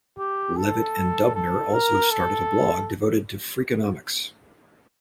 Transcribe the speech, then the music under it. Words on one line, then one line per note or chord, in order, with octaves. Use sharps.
Levitt and Dubner also started a blog devoted to Freakonomics.
G4
A4
A4
A#4
A4